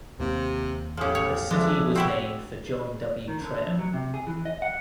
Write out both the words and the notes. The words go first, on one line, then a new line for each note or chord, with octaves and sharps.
The city was named for John W. Traer.
D#2 C3 A#3
E2 A2 F3 C#4 G4 G#4 F5
C#5
F2 F3 G#3 D4 E5
C4 E4 F#4 G4 E6
D#3
D3
F2
F#3
C3
G#4
E3
D#5
F#5